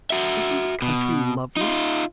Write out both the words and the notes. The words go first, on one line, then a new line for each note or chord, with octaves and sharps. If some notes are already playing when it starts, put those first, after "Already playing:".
Isn't the country lovely!
F#4 E5
B2
D#4 F4